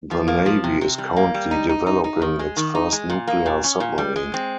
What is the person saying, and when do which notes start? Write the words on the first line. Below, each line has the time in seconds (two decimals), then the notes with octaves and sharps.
The Navy is currently developing its first nuclear submarine.
0.11 F3
0.28 A#3
0.46 F3
0.64 C3
0.81 C3
0.98 G3
1.16 A#3
1.34 G3
1.51 D#4
1.69 D#4
1.86 D#4
2.04 D#4
2.22 D#3
2.39 G#3
2.57 D#3
2.75 D#4
2.93 G#3
3.10 A#2
3.27 A#3
3.46 A#2
3.64 C#4
3.80 A#2
3.98 G3
4.16 G#3
4.34 C4